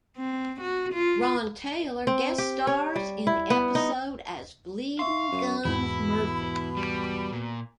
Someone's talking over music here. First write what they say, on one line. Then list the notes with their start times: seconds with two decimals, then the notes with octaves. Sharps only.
Ron Taylor guest stars in the episode as Bleeding Gums Murphy.
0.17 C4
0.61 F#4
0.93 F4
2.07 C4
2.38 G4
2.67 C#5
2.96 G3
3.27 E4
3.50 B3
3.75 D#4
4.99 E5 F5 C6 C#6
5.32 F#2
5.65 E2 G#2 B2 E3 E4 B5
6.77 G3
7.32 A#2